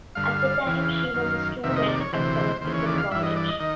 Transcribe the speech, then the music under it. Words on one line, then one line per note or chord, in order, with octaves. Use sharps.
At the time, she was a student at Connecticut College.
G2 D3 F5
E2 C#3 E3
F#2 D#3
F2 C3 D#3 E5
D#5
D5
C#5
D2 C3 E3 C5
D#2 C#3 E3 C5
C#5
D5
F5
G2 E3 E5
D#5
D5
D#5
D#3 D#5